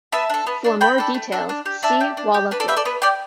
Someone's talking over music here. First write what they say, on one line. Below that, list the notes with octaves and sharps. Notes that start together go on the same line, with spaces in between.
For more details see Walla Brook.
B3 E5 A5
D4 A4
B3
D4 A4
A3 G5 B5
D4 A4
A3
D4 A4
D4
G4
D4 E5 A5
G4
D4
G4
D4 B4
A4 D5
G4 B4 E5
A4 D5
B3 B4
G4 D5 G5